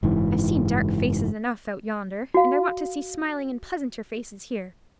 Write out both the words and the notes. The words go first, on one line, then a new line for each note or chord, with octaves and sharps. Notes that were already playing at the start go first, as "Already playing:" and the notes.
I've seen dark faces enough out yonder; and I want to see smiling and pleasanter faces here.
F#1 G#2 E3
F#4 F5